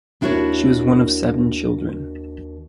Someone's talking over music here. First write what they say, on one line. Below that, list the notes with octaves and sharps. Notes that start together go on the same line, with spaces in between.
She was one of seven children.
D#2 D4 E4 F#4 A#4 C#5